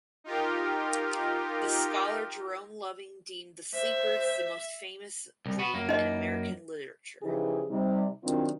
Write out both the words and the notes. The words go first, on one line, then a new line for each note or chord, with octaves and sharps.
The scholar Jerome Loving deemed "The Sleepers" "the most famous dream in American literature".
D#4 F4 G4 A#4
C5 E5
C2
B3 F#4
F#2 A#3
D#4 D#5
C#3 E3 F3 D#4 G4 G#4
C3 G3 D#4
C3 D#3 F#3 C4 D4 F4